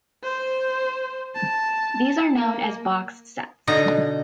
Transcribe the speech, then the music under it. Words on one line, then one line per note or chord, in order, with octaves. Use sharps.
These are known as box sets.
C5
A5
A#3
B2 D3 D#4 D#5 A#5